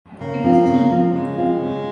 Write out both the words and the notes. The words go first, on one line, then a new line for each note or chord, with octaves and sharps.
It was cheap.
C#3 A#3
F3 C4 F4
C#3
F3 C4 F4
C#3 G#3
F3 C4 F4
C#3